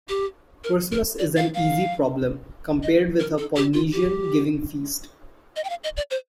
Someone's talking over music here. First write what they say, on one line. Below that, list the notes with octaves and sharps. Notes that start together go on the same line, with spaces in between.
Christmas is an easy problem compared with a Polynesian giving-feast.
G4
A#4
A#4
D5
F5
F5
D#5
A#4
A4
G4
F4
G4
D#5
G5
F5
D#5
D5
C5